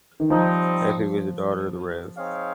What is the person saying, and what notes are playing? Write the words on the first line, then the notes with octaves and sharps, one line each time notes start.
Effie was the daughter of the Rev.
D#3
F3 G3 C4 D#4
C4 D#4 G#4 C#5 F5